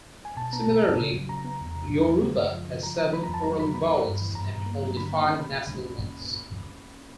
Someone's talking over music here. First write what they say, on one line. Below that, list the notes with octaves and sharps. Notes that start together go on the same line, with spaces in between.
Similarly, Yoruba has seven oral vowels and only five nasal ones.
G#5
B2 A5
B3 A#5
B2
B2
C#3
F#3
C#3 A#5
B3
E2
C3
E2
G#3
C#3
F#2
F3
C#3
F3 A#5
F3 A#5
F3 B5
F2 A#5
A5
F#3 A#5
F#3 B5
B3 B5
B3
G2
E3
G2 A#5
G2
A#3
F#3
D3 B5
A#3
C#4